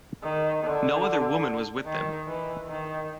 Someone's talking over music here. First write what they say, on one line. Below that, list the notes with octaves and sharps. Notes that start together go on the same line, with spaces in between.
No other woman was with them.
D#3
D3
D#3
E3
D#3